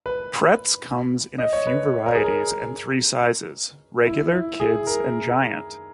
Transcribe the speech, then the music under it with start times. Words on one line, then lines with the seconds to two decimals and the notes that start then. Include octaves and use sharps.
Pretz comes in a few varieties and three sizes: Regular, Kid's, and Giant.
0.06 B4
1.38 D#5
1.53 C#5
1.67 B4
2.06 A#4
2.15 G#4
2.24 A#4
4.07 E4
4.33 E4
4.60 G#4
4.87 A#4